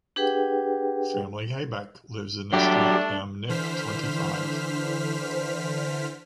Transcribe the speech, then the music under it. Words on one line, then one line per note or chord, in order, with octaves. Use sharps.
Family Habeck lives in the street ‘Am Knick twenty-five’.
D4 G4 G#4 B4 F#5 G5
F#3 G3 A3 D4 G4
D3 E3 C5 F6 B6